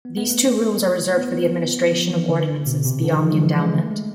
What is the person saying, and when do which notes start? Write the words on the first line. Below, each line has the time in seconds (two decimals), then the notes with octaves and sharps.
These two rooms are reserved for the administration of ordinances beyond the Endowment.
0.05 B3
0.17 B3
0.30 A3
1.17 B3
1.92 F3
2.10 E3
2.29 D3
2.66 B2
2.85 C3
3.04 D3
3.13 E3
3.22 F3
3.32 G#3
3.41 E3
3.60 G#3
3.79 A3
3.91 G#3